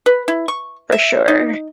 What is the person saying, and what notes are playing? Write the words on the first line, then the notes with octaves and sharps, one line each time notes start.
for sure.
B4
E4
C#6
E5
D#4